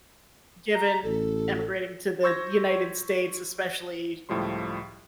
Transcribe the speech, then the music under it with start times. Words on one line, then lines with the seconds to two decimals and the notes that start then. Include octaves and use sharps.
given immigrating to the United States, especially,
0.74 A#5
1.04 A1 A4
2.23 C6 C#6 E6 G6 G#6 A#6
4.29 C#2 A2 F3 G3 C6